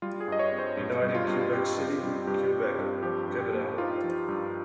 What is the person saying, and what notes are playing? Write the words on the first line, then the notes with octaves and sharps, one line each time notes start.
He died in Quebec City, Quebec, Canada.
G3 F4
G#4
G2 D#5
C#5
C4
C5
G2
G3
F4
G2
C4 G4
G2
G3
G2 G4
C4
G2
F3 G4
G2
G4
A#3
D#4 F4
F3
G2